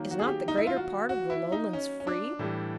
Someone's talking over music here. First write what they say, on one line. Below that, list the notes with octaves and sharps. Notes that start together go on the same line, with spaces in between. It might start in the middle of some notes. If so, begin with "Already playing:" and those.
Is not the greater part of the Lowlands free?
Already playing: D#3 F#3 A#3
F#4
G#4
G4
D#4
E4
F4
F#4
F#4
E4
D#4
C#4
C#4
D4
A2 E3 G3